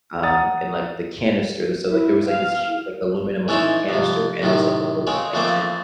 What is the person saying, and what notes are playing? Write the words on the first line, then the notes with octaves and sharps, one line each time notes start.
um, in, like, the canister, the so like, there was, like, this huge, like, aluminum like canister, and there was, like, these little sections.
F#5 A#5 D#6 A6
E4
F5
E3 A3 C#4 D#4 E4 C5
F2 C3
F#2 A2 C3 D#3
C#3 G#3 C4 C#4
F2 C#3 A3 A#3 C4 D6